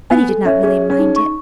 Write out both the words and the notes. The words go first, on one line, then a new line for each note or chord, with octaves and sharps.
But he did not really mind it.
B3 G#5
A4
C#4 E5
C#4 G#4
G#4
C#4
D#4
C#6